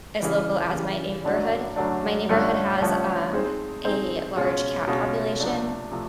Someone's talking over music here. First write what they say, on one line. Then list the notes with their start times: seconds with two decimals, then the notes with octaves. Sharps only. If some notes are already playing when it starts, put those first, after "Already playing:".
as local as my neighborhood- my neighborhood has, um, a large cat population,
0.21 C#3 E3 G3
0.73 C#3 E3 G3
1.24 F#2 D3 F#3 A3 D4
1.76 F#2 D3 F#3 A3 D4
2.29 G2 D3 F3 A3 C#4
2.81 G2 D3 F3 A3 C#4
3.33 G#3 C4 D#4 G#4 C5
3.85 G#3 C4 D#4 G#4 C5
4.37 B2 G#3 C#4 F4
4.88 B2 G#3 C#4 F4
5.40 C3 F3 A3 D4
5.92 C3 F3 A3